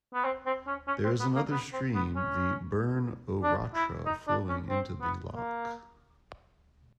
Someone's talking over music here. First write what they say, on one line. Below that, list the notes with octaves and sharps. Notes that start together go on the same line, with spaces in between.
There is another stream, the "Burn o' Rattra" flowing into the loch.
B3
C4
C4
C#4
C#4
C4
B3
A#3
B3
C4
B3
C#4
D4
E4
D#4
D4
C#4
C4
B3
A#3